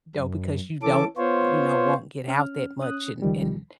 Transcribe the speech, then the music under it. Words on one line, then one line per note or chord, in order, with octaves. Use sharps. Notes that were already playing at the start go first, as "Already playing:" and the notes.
though, because you don't, you know, won't get out that much and and,
F#2
E3 C#4 A4 D6
B3 F4 C5 C#5
C#4 F6
C#4 D#6 F#6
C#2 D#3 F3 G3